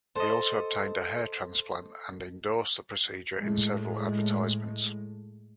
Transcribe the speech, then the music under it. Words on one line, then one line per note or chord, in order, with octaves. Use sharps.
He also obtained a hair transplant and endorsed the procedure in several advertisements.
A4 C5 D#5
A2 G#3